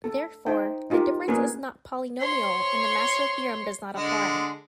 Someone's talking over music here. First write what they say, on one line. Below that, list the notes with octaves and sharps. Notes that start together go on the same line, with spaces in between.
Therefore, the difference is not polynomial and the Master Theorem does not apply.
A4
D#4 C5 G5
D#4 F4 G4 A#4
A#3 C#4 G#4 A#4 B4
C#5 C6
D3 G#3